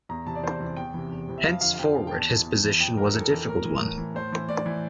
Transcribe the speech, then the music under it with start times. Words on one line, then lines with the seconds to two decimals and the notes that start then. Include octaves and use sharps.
Henceforward his position was a difficult one.
0.09 E2 A#5
0.26 C3 E3 A5
0.35 D5
0.43 E2 C5
0.60 C3 E3
0.77 E2 G5
0.94 C3 E3
1.11 E2
1.28 C3 E3
1.38 E5
1.44 F2 F5
1.61 D3 F3 F5
1.74 F5
1.79 F2 G5
1.96 D3 F3
2.07 G5
2.13 E2 A5
2.29 E3
2.46 E2
2.64 E3
2.80 F2 G5
2.97 E3 A#4
3.14 F2 A4
3.30 E3
3.48 A2 A#4
3.65 E3
3.81 A2
3.98 E3
4.15 A2 C5
4.32 E3
4.49 A2 D5
4.66 E3